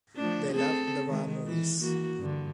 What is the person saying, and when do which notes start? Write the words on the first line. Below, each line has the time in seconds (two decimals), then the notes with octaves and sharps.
They loved the war movies.
0.16 F3 A3 D4
0.52 C4 G#4 A4
1.07 D#3 G#3
1.46 E3
1.80 E3 A#3 F#4
2.19 G2 D3